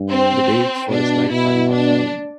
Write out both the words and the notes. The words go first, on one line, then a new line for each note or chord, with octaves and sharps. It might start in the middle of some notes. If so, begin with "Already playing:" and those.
The dates for his life are not known.
Already playing: G2
C4
B2 D4
B2 E4
D4